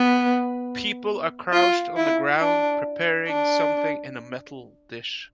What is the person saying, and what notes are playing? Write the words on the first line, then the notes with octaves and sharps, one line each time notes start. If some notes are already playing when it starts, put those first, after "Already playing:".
People are crouched on the ground preparing something in a metal dish.
Already playing: B3
F4
E4
D4
D4